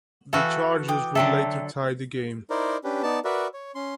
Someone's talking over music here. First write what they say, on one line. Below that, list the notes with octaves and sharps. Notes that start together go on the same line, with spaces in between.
The Chargers would later tie the game.
E3 F#4 A4 E5 F5 G5
G5 D6 D#6
D3 F#3 A4 E5 G5 A5
D#4 E4 A#4 C5 D5
C#4 D4 G4 B4
B3 D#4 D5 A5
F#4 A#4 B4 D5 E5
C#5
C#4 C6